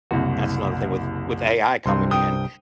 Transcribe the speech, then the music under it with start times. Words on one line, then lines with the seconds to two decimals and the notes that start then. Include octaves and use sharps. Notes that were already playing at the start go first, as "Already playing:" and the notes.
That's another thing with with AI coming in,
0.11 F#1 C2 F#4
1.86 C2 G2 C4 C6
2.11 G5 D#6